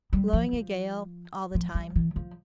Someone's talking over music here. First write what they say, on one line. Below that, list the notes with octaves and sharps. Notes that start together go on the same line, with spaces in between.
Blowing a gale all the time.
G3
F3
F3
F3
G3
E3
F3